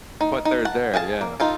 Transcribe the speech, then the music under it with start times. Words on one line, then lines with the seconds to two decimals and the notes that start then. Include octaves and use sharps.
But they're there, yeah.
0.21 D#4
0.45 D#4
0.65 F#5 A5
0.94 G#4 F5 F#5 A5
1.21 A#3
1.40 D#4 F4 A4